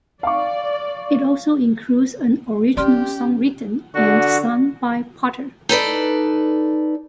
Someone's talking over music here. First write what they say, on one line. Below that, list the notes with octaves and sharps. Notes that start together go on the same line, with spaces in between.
It also includes an original song written and sung by Potter.
D5 F5 C#6
C#4 G4 D5 C6 F6
D3 F#4
D#4 A4 B4 D5